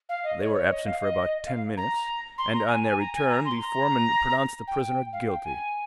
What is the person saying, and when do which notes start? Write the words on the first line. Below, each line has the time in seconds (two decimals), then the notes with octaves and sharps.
They were absent for about ten minutes, and on their return the foreman pronounced the prisoner guilty.
0.09 F5
0.24 D#5
0.40 C#5
0.55 C#5
0.70 D#5
0.85 F5
1.01 D#5
1.46 F5
1.77 A#5
2.38 C6
2.53 A#5
2.68 G#5
2.84 G#5
2.99 A#5
3.14 G#5
3.30 A#5
3.45 C6
3.60 A#5
4.67 G5
5.13 F5
5.28 G5
5.44 G#5